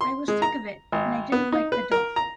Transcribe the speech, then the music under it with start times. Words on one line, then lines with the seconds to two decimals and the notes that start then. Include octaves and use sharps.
I was sick of it, and I didn’t like the dog.
0.01 C6
0.28 G#3
0.42 A#5
0.92 G#1
1.32 B3
1.52 D#4
1.72 B4
1.92 A#4
2.16 A#5